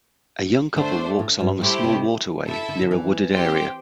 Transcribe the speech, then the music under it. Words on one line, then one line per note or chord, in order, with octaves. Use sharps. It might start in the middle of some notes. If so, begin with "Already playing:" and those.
A young couple walks along a small waterway near a wooded area.
D3 A3 D4 C5
A2
G2
A2 A3 E4 G4 C5
C3
C3 E4 A4 E5
D3
D3
E3
C4 G4 C5 G5